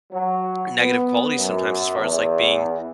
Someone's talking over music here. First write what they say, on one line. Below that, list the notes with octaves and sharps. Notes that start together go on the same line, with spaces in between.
negative qualities sometimes as far as, like, being
F#3
B3
F#2
E2